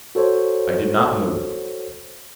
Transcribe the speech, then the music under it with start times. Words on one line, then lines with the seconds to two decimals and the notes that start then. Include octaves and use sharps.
I did not move.
0.15 F#4 A4 C5 C#5